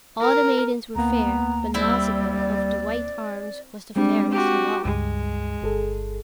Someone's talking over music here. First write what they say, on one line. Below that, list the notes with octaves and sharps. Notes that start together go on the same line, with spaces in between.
All the maidens were fair, but Nausicaa of the white arms was the fairest of all.
A#4
D2 A#3 B3 A#5
G3 C4 E4 D5
G3 G#3 C4 D4
F#4 G4
C#2 G2 G#3
G1 G#4 A4